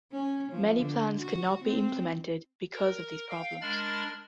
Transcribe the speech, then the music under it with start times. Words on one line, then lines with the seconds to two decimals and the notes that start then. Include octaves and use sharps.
Many plans could not be implemented because of these problems.
0.12 C#4
0.52 F3
0.81 D3
1.21 F#4
1.64 C4
2.75 A#4
3.30 F5 G5
3.62 G#3 D4 A#4 B5 F6 A6